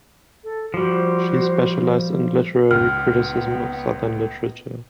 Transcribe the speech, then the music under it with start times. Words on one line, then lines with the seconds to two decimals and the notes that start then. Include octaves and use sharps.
She specialized in literary criticism of Southern literature.
0.43 A4
0.74 F3 G3 F#4 C5
2.71 C#2 B3 D#4 F6